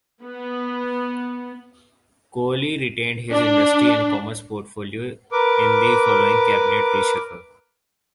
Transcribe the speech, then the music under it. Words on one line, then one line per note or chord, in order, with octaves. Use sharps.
Colley retained his Industry and Commerce portfolio in the following cabinet reshuffle.
B3
D4
A#4 B4 D6